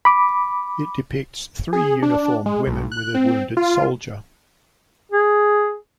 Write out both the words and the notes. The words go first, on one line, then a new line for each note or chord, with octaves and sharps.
It depicts three uniformed women with a wounded soldier.
B5 D6
G#4
D4
G#3
B1
F#6
C4
F4
G#4